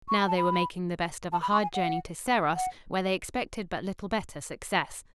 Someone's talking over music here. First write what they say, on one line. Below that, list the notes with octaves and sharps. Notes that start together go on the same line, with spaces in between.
Now they were making the best of a hard journey to Serros, where they expected but little better success.
C#6
B5
A5
B5
A5
B5
C#6
G#5
F#5
F#5